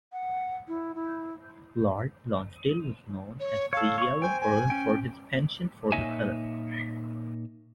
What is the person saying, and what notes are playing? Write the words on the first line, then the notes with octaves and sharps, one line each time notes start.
Lord Lonsdale was known as the Yellow Earl for his penchant for the colour.
F#5
E4
E4
C#5
A4 C#5 F5
C#5 C#6
C5 G5 G#5
G#5
C#4 G5
A#2 A#3 D#4 C#5 E5 G#5